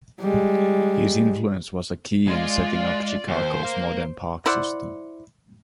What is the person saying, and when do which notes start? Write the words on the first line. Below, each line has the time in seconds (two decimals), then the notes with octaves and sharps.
His influence was key in setting up Chicago's modern park system.
0.20 G3 G#3
2.28 G#3 F4 D5
3.28 D#2 C5
3.63 A#4 F5
4.46 E4 C5 D5 F#5